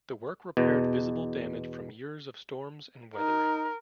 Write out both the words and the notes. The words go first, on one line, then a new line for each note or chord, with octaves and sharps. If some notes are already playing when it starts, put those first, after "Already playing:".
The work repaired visible damage from years of storms and weathering.
E2 B2
D#4 A#4